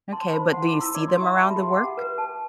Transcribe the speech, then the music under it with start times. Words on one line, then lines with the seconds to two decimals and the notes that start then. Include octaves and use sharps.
okay but do you see them around the work?
0.13 A5 C6
0.33 C5 B5
0.53 F#5 C6
0.68 D6
0.74 E4
0.81 E6
0.95 D5 D6
1.08 C6
1.15 F#4
1.22 E5
1.35 E5 A5
1.50 B5
1.56 G4
1.63 C6
1.76 F#5 D6
1.97 B4
2.18 A5